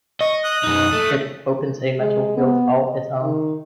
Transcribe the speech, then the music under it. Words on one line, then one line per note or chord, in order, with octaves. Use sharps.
It opens a mental field all its own.
D#5 C#6
D#6 F#6
F#2 D#4
A3
G#3
B3
D#5
D#3